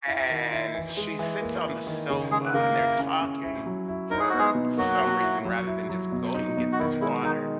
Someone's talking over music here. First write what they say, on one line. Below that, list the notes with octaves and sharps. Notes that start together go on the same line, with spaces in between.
and she sits on the sofa and they're talking for some reason rather than just going and get this water
E4
D#3
E4
E3
G#3
E3
A#3
E4
D#3
C#3
C#3 G#3 G#4
B4
C#3 A#3 A#4
E4
C#4
C#4
E4
F#3
E4
D#4 A#4
G#4
B3 F#4
G#3 G#4
B2
F#3 A#3 F#4
A#3
E4
F#3
E4
F#3
B2
D#4
B2
F#4
D#3 E4
G#3 E4
D#3 D#4